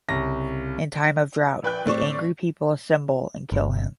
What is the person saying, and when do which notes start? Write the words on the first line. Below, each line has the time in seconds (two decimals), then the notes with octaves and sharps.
In time of drought, the angry people assemble and kill him.
0.08 C2 C#3 A#6
1.63 A#1 B4 G5 F#6
1.85 A2 C4 D5 C#6
3.52 G1